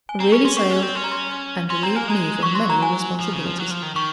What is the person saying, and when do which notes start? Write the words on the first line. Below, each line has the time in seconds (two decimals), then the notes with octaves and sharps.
'Really sailed, and relieved me from many responsibilities.
0.09 G#5
0.20 C4 A#5
0.32 C#4 C#6
0.45 C#4 C6
0.57 C4 C#6
0.71 C#4
0.83 C4
0.95 C#4 C6
1.04 A#5
1.11 C6
1.70 C#4 C6
1.83 C4 A#5
1.95 A#3 G#5
2.08 G#3 A#5
2.43 F#3 C#6
2.55 C6
2.70 A#5
2.82 G#5
3.20 F3
3.33 C#3
3.46 F3
3.58 F#3
3.71 F3
3.83 D#3
3.95 D#3 C#6